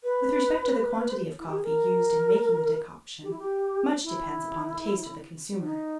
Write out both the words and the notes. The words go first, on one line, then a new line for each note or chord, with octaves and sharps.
With respect to the quantity of coffee used in making the decoction, much depends upon the taste of the consumer.
B4
E4
G4
G#4
A#4
G4
E4
G4
E4
D#4